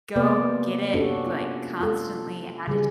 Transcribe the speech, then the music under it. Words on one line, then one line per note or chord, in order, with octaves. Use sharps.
go get it, like, constantly added,
C3 A#3 B3 A4 B4 D5
C#4 D4 F#4 G4 A4
F4
F4 A4
C#3 G3 G#4